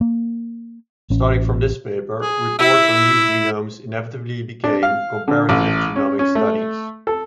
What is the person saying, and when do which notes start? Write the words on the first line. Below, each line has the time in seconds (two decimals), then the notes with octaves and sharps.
Starting from this paper, reports on new genomes inevitably became comparative-genomic studies.
0.01 A#3
1.10 A1 C#4
2.22 G#4
2.59 E4 E5
4.64 D4
4.83 F5
5.28 D3
5.49 A1
5.96 C#4
6.19 C#4
6.35 A3
7.07 A4